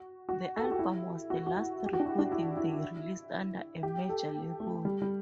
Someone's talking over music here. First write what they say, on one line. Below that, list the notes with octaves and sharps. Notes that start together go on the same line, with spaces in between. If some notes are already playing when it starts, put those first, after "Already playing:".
The album was the last recording they released under a major label.
Already playing: F#4
F#4
A4
G4
F#4
E4
F#4
F#4
E4
G4
F#4
D4
E4
D4
E4
E4
G4
A4
A3
G3
G3